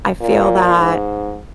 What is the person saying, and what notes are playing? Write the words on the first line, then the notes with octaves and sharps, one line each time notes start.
I feel that.
A#2
G#2